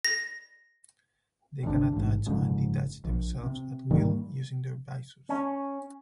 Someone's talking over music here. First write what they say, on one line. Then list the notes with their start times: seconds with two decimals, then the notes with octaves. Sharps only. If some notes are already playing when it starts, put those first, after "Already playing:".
They can attach and detach themselves at will using their byssus.
0.05 A#6
1.63 G#1 D2 B2 D4
1.93 A1 G#2
2.26 F#1 F2 G#2 C#3
3.04 A#1
3.43 C3
3.90 G#2 D#3 G3 A#3
5.29 C#4